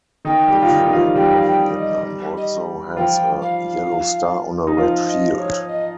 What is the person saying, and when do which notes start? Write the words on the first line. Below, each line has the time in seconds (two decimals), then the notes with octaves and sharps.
The flag of Vietnam also has a yellow star on a red field.
0.25 D#3 D#4 G5
0.48 G3 G4
0.62 F4
0.71 D#3 D#4
0.85 D#4
0.93 F3 F4
1.16 G3 G4 G5
1.38 F5
1.46 G5
1.76 D#5
2.37 D#5
2.97 F3 F4 G5
3.41 F5
4.67 D#4
4.78 F3 F4
5.08 D#5
5.38 C#5
5.68 D#5